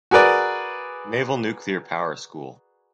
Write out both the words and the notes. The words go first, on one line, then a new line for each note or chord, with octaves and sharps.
Naval Nuclear Power School.
F#4 G#4 A#4 B4 D5